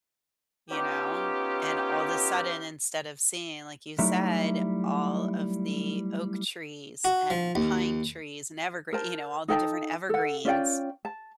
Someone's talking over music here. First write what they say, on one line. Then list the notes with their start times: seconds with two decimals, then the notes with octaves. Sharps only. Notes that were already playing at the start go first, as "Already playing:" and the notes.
you know? And all the sudden, instead of seeing, like you said, all of the oak trees and pine trees and evergree you know, all the different evergreens.
0.71 B3 C#4 D#4 F4 G4
3.99 F#3 G3 A3 D#4 E4
7.05 F#4
7.30 F3
7.55 D#2
8.93 A#4 C5 A5
9.48 D#4 A4 G5 A5
10.09 A4 F#5
10.45 C#4 F4 D5 G5
11.05 A5